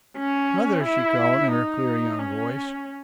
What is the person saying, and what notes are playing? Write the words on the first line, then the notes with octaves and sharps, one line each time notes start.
"Mother!" she called in her clear young voice.
C#4
E4
D#4
C#4